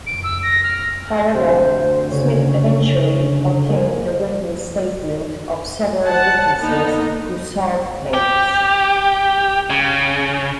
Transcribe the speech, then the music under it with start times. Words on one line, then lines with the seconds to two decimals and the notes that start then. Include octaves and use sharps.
However, Smith eventually obtained the written statement of several witnesses who saw the plates.
0.06 D7
0.23 E6
0.43 A#6
0.63 F6
1.34 D2 C3 C5
2.11 C#3 C#4
3.19 D3
3.69 G#3 A#3
6.06 F#5 A5
6.61 A#3 B3 D#4
8.14 G4
9.70 C#3